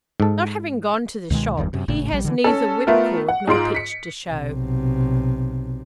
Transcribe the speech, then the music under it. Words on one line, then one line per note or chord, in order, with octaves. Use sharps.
Not having gone to the shop, he has neither whipcord nor pitch to show.
G#2 A4
C#2 B2 D#3 G#3
G1 E2 G2 D#3
F#2 C3
G#1 A2 C#3
A#1 G3
D3 E3
C#4 A4
A3 B3 F4 A#4
F#5
G#2 F4 C6 D7
B6 C#7
B1 C3